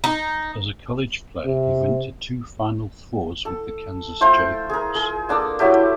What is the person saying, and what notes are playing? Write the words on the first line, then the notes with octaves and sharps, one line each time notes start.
As a college player, he went to two Final Fours with the Kansas Jayhawks.
D#4
C3
A4
A3 F4 C5 G5
G#4 A#4
G#4
A#3 D4 A4 D5
F#3 E4 G4 A4